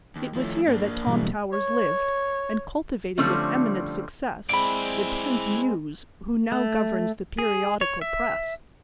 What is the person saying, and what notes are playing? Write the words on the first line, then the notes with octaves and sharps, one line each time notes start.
It was here that Tom Towers lived, and cultivated with eminent success the tenth Muse who now governs the periodical press.
D#2
D#3 F3 A3 E4 C#5
G#2 A#3 D4
G#2 B2 E3 G3 G#3 F#4
C#5
D3 F3 G3 A3 C4 C#4
G#3 C4 E4 D5 B5 D7
A3
G#4
C#5
E5